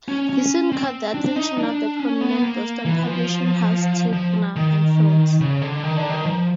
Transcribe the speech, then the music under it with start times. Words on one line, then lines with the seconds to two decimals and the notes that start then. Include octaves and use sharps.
He soon caught the attention of the prominent Boston publishing house Ticknor and Fields.
0.08 C#4
0.29 C#4
0.72 C4
1.14 D4
1.36 D#4
1.58 D4
1.99 C#4
2.21 B3
2.42 A#3
2.86 E3
3.06 F3
4.13 F3
4.56 D#3
5.41 C#3
5.62 D3
5.84 D#3
5.96 D3
6.09 D#3
6.26 F3